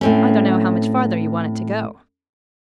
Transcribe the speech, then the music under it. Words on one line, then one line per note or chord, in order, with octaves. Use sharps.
I don't know how much farther you want it to go.'
A2 C4 C#4